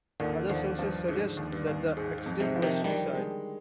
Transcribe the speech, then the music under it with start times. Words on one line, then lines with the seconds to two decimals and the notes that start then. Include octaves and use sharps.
Other sources suggest that the accident was suicide.
0.20 D#2 A#2 D3
0.49 D#2 D3 F3
0.79 G2 F3
1.08 G#2 D3
1.37 D#2
1.52 G2
1.67 D#2
1.97 G#2 G#3
2.18 G#2
2.26 F2
2.40 G#2 C3
2.56 F3
2.62 C3 D#3
2.84 D3 D#3 G3
3.14 G#3